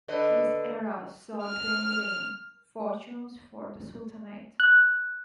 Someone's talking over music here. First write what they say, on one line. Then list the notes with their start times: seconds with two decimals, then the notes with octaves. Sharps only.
This era saw dwindling fortunes for the Sultanate.
0.08 D3 B4 D#5
1.44 F6
4.60 F#6